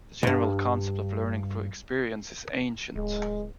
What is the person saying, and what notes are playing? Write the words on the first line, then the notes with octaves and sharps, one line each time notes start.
The general concept of learning through experience is ancient.
C2 G2
D1 G#3